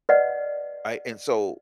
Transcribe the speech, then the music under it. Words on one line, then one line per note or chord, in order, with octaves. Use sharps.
I and so,
B4 D5 D#5 F#5